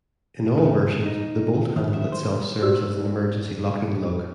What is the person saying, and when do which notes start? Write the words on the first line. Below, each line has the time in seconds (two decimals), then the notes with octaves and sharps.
In all versions, the bolt handle itself serves as an emergency locking lug.
0.58 C#3
0.87 G#2
1.06 D#4
1.76 D#3
1.94 E5
2.12 C5
2.61 F#4 G4 D5 E6